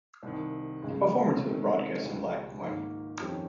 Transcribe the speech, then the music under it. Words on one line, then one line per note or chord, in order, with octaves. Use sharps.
The performance was broadcast in black and white.
C2 C3 D#3
C#2 C#3 G#3
C3 D#3 G#3
C#2 C#3 G3
G#2 D#3 A#3
F2 D#3 G3 C#4 G4